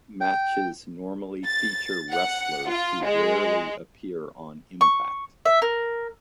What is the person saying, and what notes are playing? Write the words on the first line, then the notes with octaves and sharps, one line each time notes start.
Matches normally feature wrestlers who rarely appear on "Impact!".
G5
A6
F#5
F4
G#3
C#6
E5
A#4